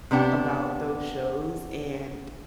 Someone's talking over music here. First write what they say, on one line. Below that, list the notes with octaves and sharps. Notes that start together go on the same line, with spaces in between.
about those shows, and
C3 B3 D4 G4 F#5